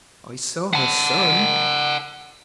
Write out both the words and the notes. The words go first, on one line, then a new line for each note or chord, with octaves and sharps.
"I saw her son."
F#5 A5